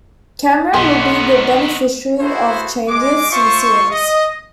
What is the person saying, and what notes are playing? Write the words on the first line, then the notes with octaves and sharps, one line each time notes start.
Cameron will be the beneficiary of changes to the series.
B1 D#3 B3 C6
E4 F#4 G#4 A4 B4 C5
G#3 D6
F4 C5 E5 C6 C#6
D#5